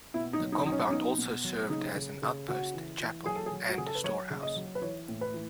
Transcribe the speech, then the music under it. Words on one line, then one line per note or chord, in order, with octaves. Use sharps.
The compound also served as an outpost, chapel, and storehouse.
B2 E4
D#4
F#3
D#4
F#3 D#4
C#4
C#4
B2 D#4
B2
F#3
C#3 D#4
C#3
C#3
C#3 F#4
E3
E3
F#3 G#4
A4
G#4
F#3
F#4
C#3 G#4
A4
B4
F#3 C#5
C#3
D#5
F#3
B4
E3 C#5
A2
B4
E3